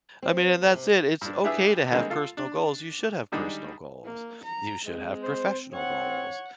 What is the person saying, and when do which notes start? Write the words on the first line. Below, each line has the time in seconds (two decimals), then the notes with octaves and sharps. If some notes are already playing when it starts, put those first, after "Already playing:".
I mean, and that's it, it's okay to have personal goals, you should have personal goals. You should have professional goals.
0.22 C4
0.61 F2
0.74 C3
1.21 G2 D4
1.44 D4 E4 G4 G#4 B4 E5
1.92 D3 D#3 G3 G#3 A#3 C4
2.10 F4 A4 F5
2.37 D4
3.32 D3 D#3 G3 G#3 D4 D#4
4.04 A#3
4.45 A#5
4.85 G#3 C4
5.23 C5
5.73 C4 C#5 F#5